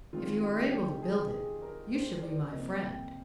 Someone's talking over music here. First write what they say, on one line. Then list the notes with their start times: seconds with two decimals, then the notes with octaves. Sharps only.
If you are able to build it you shall be my friend.
0.13 D#3 G#3 C4 F4
0.43 G4
0.73 G4
1.03 G#4
1.32 G#4
1.62 A#4
1.92 C5
2.22 D5
2.52 C3 F3 A#3 D#5
2.82 G5